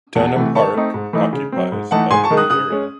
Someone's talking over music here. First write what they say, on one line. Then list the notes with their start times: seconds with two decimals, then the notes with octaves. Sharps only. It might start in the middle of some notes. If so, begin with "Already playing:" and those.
Dunham Park occupies of the area.
0.15 E2 F#5 A5
0.36 C3 E3 A3
0.55 D#3 A5 C#6
0.74 A3 C4 D#4
0.94 G#2
1.13 E3 A3 D#4
1.33 C#3
1.52 F#3 C4
1.72 G#2
1.91 E3 A3 D#4 F#5 A5
2.11 G#2 G#5 C6
2.24 A5 C#6
2.30 D#3 G#3 D#4
2.37 D#6 F#6
2.50 C#3 D#6 F#6
2.70 G#3 C#4